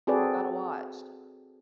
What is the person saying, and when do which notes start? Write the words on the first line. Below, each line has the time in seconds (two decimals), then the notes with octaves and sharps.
People gotta watch.
0.07 C4 F#4 G#4 A4 B4 D5